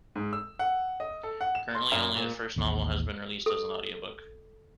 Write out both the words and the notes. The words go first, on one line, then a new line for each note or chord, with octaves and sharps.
Currently, only the first novel has been released as an audiobook.
G#2
E6
F#5
D#5
A4
F#5
E7
C6
F#2
A#2
A1 D#2
A4